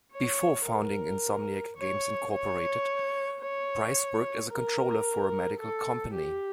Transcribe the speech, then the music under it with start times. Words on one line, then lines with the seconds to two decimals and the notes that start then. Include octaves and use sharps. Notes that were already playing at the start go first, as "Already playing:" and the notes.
Before founding Insomniac Games, Incorporated Price worked as a controller for a medical company.
0.13 C#5
0.66 A#4
1.76 C#5
2.32 C#5
3.41 C#5
4.50 A#4
5.59 A4
6.13 G4